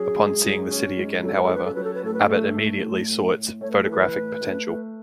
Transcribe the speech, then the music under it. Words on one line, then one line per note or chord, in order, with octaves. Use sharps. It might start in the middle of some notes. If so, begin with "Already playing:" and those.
Upon seeing the city again, however, Abbott immediately saw its photographic potential.
Already playing: F#3 C#4 G#4
G#2
F#3
C#4
G#2
F#3 A4
B4
A4
C#4 B4
A4
F#3 B4
A4
B4
A2 A4
B4
A4
A3
A3
A2
A2
A2
A3 C#5
B4
A4
E3 B4
A2
A3
A3